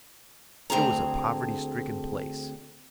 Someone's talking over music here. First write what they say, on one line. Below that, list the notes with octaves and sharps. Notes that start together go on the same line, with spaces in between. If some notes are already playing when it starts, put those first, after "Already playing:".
It was a poverty stricken place.
D2 C4 G#4 A#5